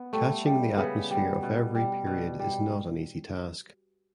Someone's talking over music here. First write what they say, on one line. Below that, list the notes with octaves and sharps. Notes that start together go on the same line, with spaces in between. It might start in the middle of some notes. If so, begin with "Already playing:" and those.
Catching the atmosphere of every period is not an easy task.
Already playing: B3
G3 A3
G3
C#3 B3
G3
B2
G3
B2
G3